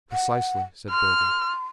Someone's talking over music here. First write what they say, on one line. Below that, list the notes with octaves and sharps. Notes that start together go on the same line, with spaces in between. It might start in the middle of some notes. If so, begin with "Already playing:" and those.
"Precisely," said Burger.
F#5
C6 F6